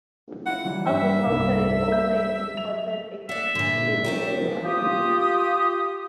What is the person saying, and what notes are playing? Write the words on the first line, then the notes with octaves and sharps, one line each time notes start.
Agriculture is also an important activity in the area.
E4 F4 C#5 F#5
E3 F#3 G3
G2 G3 E5
C2 G2
G3 G6
F#3 F7
D5 E5 F#5
A#2 D3
A3 G4 A#4
F4 G4 D#6